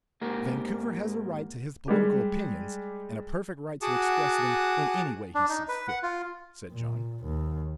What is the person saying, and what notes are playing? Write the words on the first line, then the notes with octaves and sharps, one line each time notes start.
"Vancouver has a right to his political opinions, and a perfect right to express them in any way he sees fit," said John.
G#2 A#3 G4 A#4
G3 G#3 G4
F#4 G#4 F#5 A5 D6 D#6
D4
D#4
B4
F#5
F4
A#2
D#2